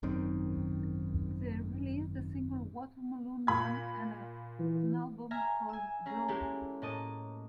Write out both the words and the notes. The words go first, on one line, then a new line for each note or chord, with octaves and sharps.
They released a single "Watermelon Man" and an album called "Blow!".
G#1 F#2 D#3 C4
A#2 B5 G#6
E3
E5 G#5 A#5 F6 A#6
G#5 E6
C#4 G#4 A#5
G#3 A#3 E4 F#4 G4 A4
A2 A#3 D#5 A5 D#6